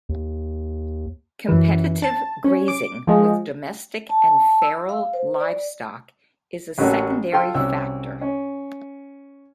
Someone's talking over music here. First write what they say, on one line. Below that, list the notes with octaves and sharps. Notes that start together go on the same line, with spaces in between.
Competitive grazing with domestic and feral livestock is a secondary factor.
D#2
F#2 E3
A5
C#4
D6
F3 G#3
A5
E6
F5
C5
D5
A1 F#3 A#3 C#4 F#4 A4
F4 A4 G5 C6
C2 F#3 C#4 E6
C#4